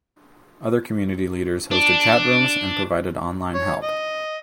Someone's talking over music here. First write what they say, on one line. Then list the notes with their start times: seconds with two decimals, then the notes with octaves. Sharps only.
Other community leaders hosted chat rooms and provided online help.
1.71 D4
3.55 C#5
3.83 D#5